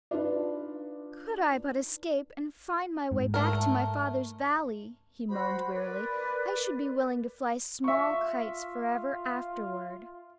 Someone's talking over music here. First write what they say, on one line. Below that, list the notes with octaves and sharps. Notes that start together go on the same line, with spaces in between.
"Could I but escape and find my way back to my father's valley," he moaned, wearily, "I should be willing to fly small kites forever afterward."
D4 D#4 F4 B4 D5
G#2
A3 A#4
F#4 C5 B5
A#4 B4 D5
F4 E5 C#6